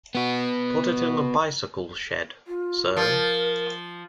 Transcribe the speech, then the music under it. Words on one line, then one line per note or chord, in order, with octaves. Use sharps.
Put it in the bicycle shed, sir.
B3 F#4
F4
F3 A#4